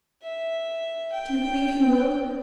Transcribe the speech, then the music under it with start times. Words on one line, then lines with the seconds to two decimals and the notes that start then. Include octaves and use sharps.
"Do you believe he will?"
0.23 E5
1.12 G5